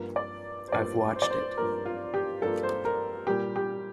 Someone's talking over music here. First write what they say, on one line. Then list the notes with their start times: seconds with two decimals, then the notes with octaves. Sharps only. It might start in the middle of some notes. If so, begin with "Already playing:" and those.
I've watched it.
Already playing: G2 F3 A#3
0.16 D5
0.68 C5
0.72 G2 F3 A#3 D5
1.15 C5
1.22 D5
1.30 C5
1.57 G2 F3 A#3 A#4
1.86 F4
2.14 G4
2.42 G2 F3 A#3 A4
2.63 C5
2.85 A#4
3.27 A#2 G3 A#3 G4
3.56 G4